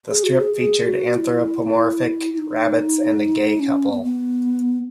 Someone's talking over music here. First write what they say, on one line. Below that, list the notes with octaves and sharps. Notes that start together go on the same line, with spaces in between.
The strip featured anthropomorphic rabbits and a gay couple.
G#4
F#4
G#4
G#4
F#4
E4
E4
D#4
C#4
B3
B3